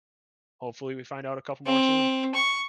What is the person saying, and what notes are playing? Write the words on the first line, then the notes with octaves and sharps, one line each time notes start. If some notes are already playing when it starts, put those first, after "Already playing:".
hopefully, we find out a couple more soon.
C4
C#6